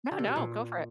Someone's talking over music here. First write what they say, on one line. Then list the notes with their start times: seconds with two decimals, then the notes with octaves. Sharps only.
No, no, go for it.
0.11 D3
0.19 C3
0.28 B2
0.36 A#2